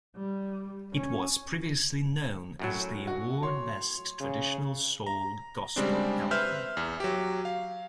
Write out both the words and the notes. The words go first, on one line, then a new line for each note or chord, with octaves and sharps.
It was previously known as the award Best Traditional Soul Gospel Album.
G3
C#4
F#2 A2 F#3
F#4
C#5 C6
C#3
A#5
C#3 G3 G#3 C4 D4
B4 C5 E5 C6 F6 G6
E2 E5
F#3 G4
F5